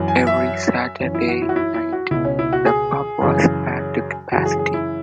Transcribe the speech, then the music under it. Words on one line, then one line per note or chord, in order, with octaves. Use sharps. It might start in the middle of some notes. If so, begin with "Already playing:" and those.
Every Saturday night the pub was packed to capacity.
Already playing: F#2 E3
G#5
E5
F#2 E3 C#4
E4
F#4
E4
F#4
E4
E4
F#4
C#2 B2 E4
C#4
E4
F#4
G#4
F#2 C#3 E3
F#2 C#3 E3 F#4
G#4
G#4
E4